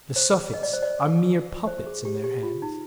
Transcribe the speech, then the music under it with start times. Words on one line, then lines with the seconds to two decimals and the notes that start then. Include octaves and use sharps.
The suffetes are mere puppets in their hands.
0.16 C5
0.54 D#5
0.63 D5
0.73 C5
0.82 D5
1.67 C5
1.86 G#4
2.05 G4
2.24 G4
2.43 F4
2.62 D#4